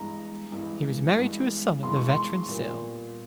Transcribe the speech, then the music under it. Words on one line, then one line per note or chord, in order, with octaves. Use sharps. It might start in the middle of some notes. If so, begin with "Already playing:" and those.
He was married to a son of the Veteran Sil.
Already playing: G2 E3 G#3 B3 A#5
G2 E3 G#3 B3
G2 E3 G#3 B3
G2 E3 G#3 B3 C6
C#6
C6
A#2 G3 B3